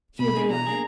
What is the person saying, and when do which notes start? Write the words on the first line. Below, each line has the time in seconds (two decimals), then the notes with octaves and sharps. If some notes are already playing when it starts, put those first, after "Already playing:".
"Here they are."
0.19 B2 B5
0.35 A#3 D4 G#4
0.50 B2 A#5
0.67 A#3 D4 G#4